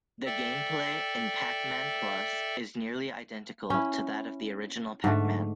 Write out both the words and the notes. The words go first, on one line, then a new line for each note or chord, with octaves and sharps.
The gameplay in "Pac-Man Plus" is nearly identical to that of the original "Pac-Man".
A4 D5 E5 G5
C#4 E4
G#2 D3 A3